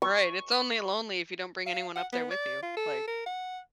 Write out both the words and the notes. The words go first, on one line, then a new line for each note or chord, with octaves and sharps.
Right, it's only lonely if you don't bring anyone up there with you, like
C#6
F5
F#5
B3
D5
F4
A4
A#4
F#5